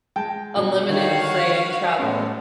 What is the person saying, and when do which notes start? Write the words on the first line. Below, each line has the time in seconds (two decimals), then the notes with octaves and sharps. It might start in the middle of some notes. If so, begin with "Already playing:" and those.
unlimited free travel.
0.16 G#3 G5 A5
0.56 B2 F#3 D4
0.89 D3 D#3 D#4 F#4 G4 C#5 F5
1.26 F#5
1.98 A2 F#3 G#3 B3 C#4